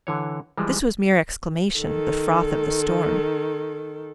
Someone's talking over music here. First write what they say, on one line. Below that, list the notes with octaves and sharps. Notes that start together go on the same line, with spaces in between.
This was mere exclamation--the froth of the storm.
D3 E3 C#5
E3 F3 G3 G#3
D#3 A4